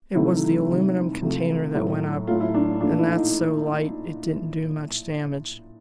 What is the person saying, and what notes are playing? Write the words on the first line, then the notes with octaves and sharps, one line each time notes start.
It was the aluminum container that went up, and that's so light it didn't do much damage.
C3 D#3 F#3 A3 E4
C3 D#3 G3
C3 F3 A3
A2 F#3 A3
A2 F#3 A3 F4
E4
D4
A#2 F3 A3 D4
E4
D#4